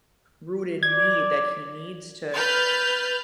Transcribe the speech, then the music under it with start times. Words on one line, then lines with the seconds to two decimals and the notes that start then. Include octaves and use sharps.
rooted need that he needs to
0.83 D5 G#6
2.34 B4 F6 G6 A6